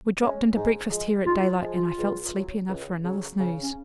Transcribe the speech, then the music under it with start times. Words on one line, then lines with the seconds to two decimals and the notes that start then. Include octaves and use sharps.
We dropped in to breakfast here at daylight, and I felt sleepy enough for another snooze.'
0.21 G#3 C#4
0.55 G#2
0.90 F3 G#3
1.26 G#2 F4
1.62 F3 G#3
1.74 F4
1.98 C#2
2.32 C#3 F#3
2.69 C#2
3.04 C#3 F#3
3.40 C#3
3.63 C#4